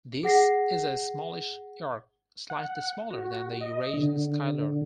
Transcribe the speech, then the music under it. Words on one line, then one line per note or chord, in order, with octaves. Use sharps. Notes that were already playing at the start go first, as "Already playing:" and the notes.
This is a smallish lark, slightly smaller than the Eurasian skylark.
G#4 F#5 A#6 C7
F#5
F#4
D#5
D3